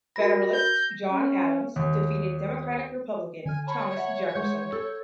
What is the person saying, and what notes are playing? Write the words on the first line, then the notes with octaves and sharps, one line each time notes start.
Federalist John Adams defeated Democratic-Republican Thomas Jefferson.
F#4 A#4 B5 A#6
G6
C#4
D#2
D3 G#5 F6
C#5 A5 B5
E5 F#5
G#3 C#6 G6
A4 E6